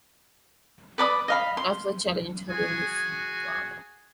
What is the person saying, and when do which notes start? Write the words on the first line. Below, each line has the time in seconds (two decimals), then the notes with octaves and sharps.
Lasalle challenged Helene's father.
0.98 B4 D5 B5 D#6
1.28 D#5 F5 B5
1.57 C6
2.50 F#4 G#4 G#5